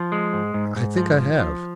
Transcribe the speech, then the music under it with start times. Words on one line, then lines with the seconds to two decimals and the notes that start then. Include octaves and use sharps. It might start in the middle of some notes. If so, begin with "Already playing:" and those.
"I think I have."
Already playing: F3
0.12 G#3
0.33 G#2
0.54 G#2
0.76 G#2
0.97 F3
1.18 F3
1.40 F3